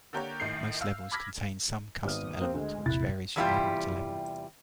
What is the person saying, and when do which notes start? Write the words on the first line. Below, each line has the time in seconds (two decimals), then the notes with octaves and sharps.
Most levels contain some custom element, which varies from level to level.
0.13 D3 A#3 G4 A#4 C#5
0.40 A#1 A2 D#3 G6 C7
0.81 F5 E6
1.12 B5 D6 F6 G#6 A#6 B6
2.05 G#1 B3 D#6 F6
2.40 A#3 C4 G4
2.54 D2 G#3
2.86 E1 A#1 C3 E4 F#6 A6
3.36 E2 C3 G3 E4 F4 G4